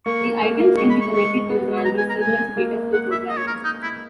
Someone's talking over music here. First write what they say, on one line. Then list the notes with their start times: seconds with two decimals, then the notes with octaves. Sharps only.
The items can be connected in a manner similar to dataflow programming.
0.06 A#3 C#6
0.42 A#3
0.60 A#3
0.77 G#3 C#6
0.90 B5
1.01 C#6
1.13 G#3 C#6
1.50 B3
1.68 G#3
1.85 A#5
1.98 G#5
2.09 A#5
2.21 G#5
2.57 A#3
2.94 F#5
3.11 E5
3.29 D#5
3.37 C#5
3.47 A#4
3.64 D#4
3.83 E4